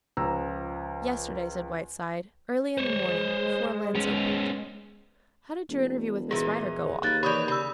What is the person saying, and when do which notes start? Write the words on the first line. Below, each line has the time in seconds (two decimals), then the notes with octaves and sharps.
"Yesterday," said Whiteside, "early in the morning, before Lyne's opened. How did your interview with Miss Rider go off?"
0.17 C#2 F3 A#5 E6
2.78 G#3 C5 C#5
3.95 B3 C#4
5.70 E1
6.31 A#2 E3 D#4 G#4
7.03 D#2 A#3 B4 F#6 A6
7.23 E3 G4 B4 C#5 D5 B5 D#6 G6
7.48 C#3 B5 E6